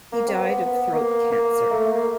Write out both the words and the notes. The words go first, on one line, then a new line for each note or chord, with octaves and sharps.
He died of throat cancer.
A#3
C4
B3
B3
A#3
A#3
A3
A#3